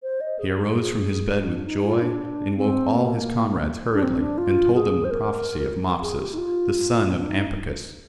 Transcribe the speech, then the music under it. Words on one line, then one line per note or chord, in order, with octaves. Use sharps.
And he arose from his bed with joy and woke all his comrades hurriedly and told them the prophecy of Mopsus the son of Ampycus.
C5
D#5
G#4
G4
G#4
D4
D#4
F4
D4
C4
A#3
D4
C4
D4
F4
G#4
C5
A#4
G#4
G4
D#4
F4
C4
D4
D#4